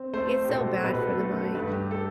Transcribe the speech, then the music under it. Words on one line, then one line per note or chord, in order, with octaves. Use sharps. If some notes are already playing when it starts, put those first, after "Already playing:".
it's so bad for the mind.
Already playing: C4
A3 C5
C5
G4
B2 A4
C5
B2 B4
A4
A3 A4
A4
G2 B4
G4
A4